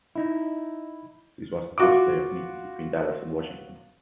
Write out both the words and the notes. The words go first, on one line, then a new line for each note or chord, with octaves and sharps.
This was the first playoff meeting between Dallas and Washington.
D#4 E4
F4 F#4 D6